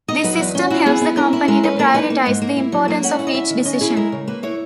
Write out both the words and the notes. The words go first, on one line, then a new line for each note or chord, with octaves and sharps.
This system helps the company to prioritise the importance of each decision.
D#4 D#5
F#3 B4
E2
C#4
E4 F#4
B3 G#4
E4
C#4 A#4
E4
G#3 A#4
C#4 B4
A#3 A#4
D#4 B4
A#3
G#2
A#3
E4
F#3
A#3
C#4 F#5
E4
D#5
C#4 E5
D#3
C#4 D#5
E4 G#4
G#3 A#4
C#3
A#3 B4
E4 C#5